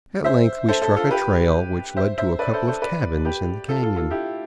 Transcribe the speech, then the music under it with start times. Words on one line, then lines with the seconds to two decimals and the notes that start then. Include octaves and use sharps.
At length we struck a trail which led to a couple of cabins in the canyon.
0.24 C5 E5
0.69 A4 C5
0.82 A4 C5
0.96 F4 A4
1.11 G4 B4
1.97 C5 E5
2.18 C5 E5
2.39 B4 D5
2.53 A4 C5
2.68 A4 C5
2.82 B4 D5
3.25 G4 B4
3.68 F4 A4
3.83 F4 A4
3.97 F4 A4
4.11 E4 G4